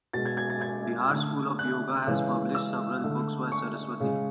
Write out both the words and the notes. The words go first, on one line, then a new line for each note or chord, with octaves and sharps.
Bihar School of Yoga has published several books by Saraswati.
B2 G#3 A6
G#6
G#6
A6
G#6
D3 A3
F#6
C#3 E3 G#3
E6
D3 A3
C#6
C#3 G#3